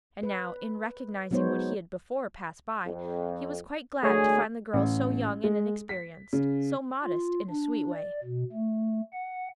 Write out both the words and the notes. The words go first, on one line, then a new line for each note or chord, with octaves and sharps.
And now in recognizing what he had before passed by, he was quite glad to find the girl so young and inexperienced--so modest, in a sweet way.
B4
F#3 G#3 B3 D#4 C5 C#5
F2
D2 G#3 A3 G#4 C#5 G#5
A1
G#3
B6
C#3
F4
D4
D5
B2
A3
F#5